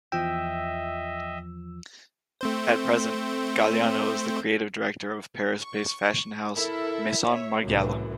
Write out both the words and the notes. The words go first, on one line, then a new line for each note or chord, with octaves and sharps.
At present, Galliano is the creative director of Paris-based fashion house Maison Margiela.
E2 F3 D#5 E5 G5 E6
A3 C4 C5
C#6
E4 A4 A#4 E5
C#5 E5
C2 F#2 A2 C#3 E3